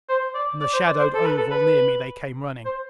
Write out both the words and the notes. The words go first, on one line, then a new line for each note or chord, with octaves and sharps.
From the shadowed oval near me they came running.
C5
D5
D5
C5
D5
C5
A4
B4
A4
B4
C5